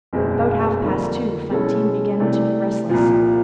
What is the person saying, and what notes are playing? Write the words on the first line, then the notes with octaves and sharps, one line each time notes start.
About half-past two, Fantine began to be restless.
F#1 E2 B2 G#3 C4
F2 D3 G3 A#3 D#4
B2 G#3 C#4 E4 A4
C3 E3 A3 D4
C2 A#2 F3